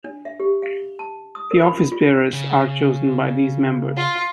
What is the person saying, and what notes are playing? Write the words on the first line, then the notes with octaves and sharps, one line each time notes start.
The office-bearers are chosen by these members.
D4
E5
G4
F5
A5
D#6
A#4
B5
F4
F4
C#3
F4